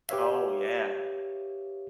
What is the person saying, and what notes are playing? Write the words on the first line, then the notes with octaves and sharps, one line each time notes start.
Oh, yeah.
G4 B4 C#5 E5 F5